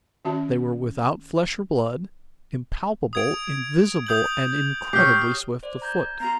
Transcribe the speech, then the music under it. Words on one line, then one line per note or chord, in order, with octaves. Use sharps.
They were without flesh or blood, impalpable, invisible, and incredibly swift of foot.
D#3 C#4 F#4 E5 A5
D#6 G#6 D7
D#6 G6 F#7
G4 C#5 F6 C7
C5 D5
A#5 G6 G#6
B3 F#4 A#5